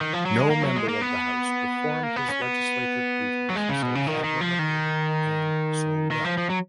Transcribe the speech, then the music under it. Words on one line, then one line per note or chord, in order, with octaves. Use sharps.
No member of the house performed his legislative duties so admirably and so well.
D#3
F3
F#3
G#3
A#3
F#3
G#3
A#3
B3
A#3
B3
C#4
B3
F#3
G#3
C#3
B2
C#3
D#3
D#3
F3
D#3
D#3
F3
F3
F#3